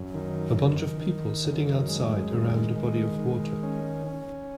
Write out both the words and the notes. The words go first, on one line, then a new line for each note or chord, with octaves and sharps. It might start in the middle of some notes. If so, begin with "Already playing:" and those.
A bunch of people sitting outside around a body of water.
Already playing: F#2
D#3
D#3
D#3
F#2
G#3
D#3
G#3
D#3
C#4
C#4